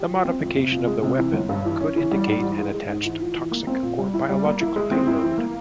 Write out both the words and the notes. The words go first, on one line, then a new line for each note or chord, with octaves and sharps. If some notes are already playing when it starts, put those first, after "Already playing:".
The modification of the weapon could indicate an attached toxic or biological payload.
Already playing: G4
F3
C4
F2
C3
F3
G#3
C3
E3
G1
G2
E3
C#4
E3
G3
G#2
E3
G#3
G#3
G#2
E3
F4
E3
A#3
C4
A#2
G3
E4
G3
A#3
E4
G#3
C4
E4
E3
A#3